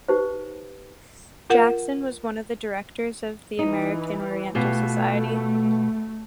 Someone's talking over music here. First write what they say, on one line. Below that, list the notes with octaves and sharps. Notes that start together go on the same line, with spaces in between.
Jackson was one of the directors of the American Oriental Society.
D#4 G4 B4 C5
F4 A#4 F#5
E3 D#4
B2 A3 F4 G4